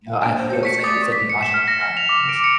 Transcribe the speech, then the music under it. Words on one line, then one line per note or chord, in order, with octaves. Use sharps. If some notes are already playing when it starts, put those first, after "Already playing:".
No, I feel it's like it's like you dodged the draft almost.
A#3 D4
C5
A3 C#5
D5 C#6 B6 C#7
A3 D6 D#6 A6
B6
C#7
E7
F6
A#6
F6
F7
D6
D7
C#7